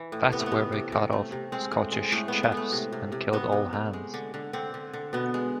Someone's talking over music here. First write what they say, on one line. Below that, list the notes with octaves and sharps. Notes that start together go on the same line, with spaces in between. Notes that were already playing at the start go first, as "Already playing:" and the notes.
That's where they cut off the Scottish Chiefs and killed all hands.
Already playing: E3
A2
C3 B3
A3
B3
C3
C3
C3
A3
C3
G#3 C4
A2
G#3
A2 A3
G#3 B3
B3
A2 A3
C3
C3
C3
C3 B3
C3
A3
G#3
D3
D3
D3 C4
D3
D3
B2 B3
G#3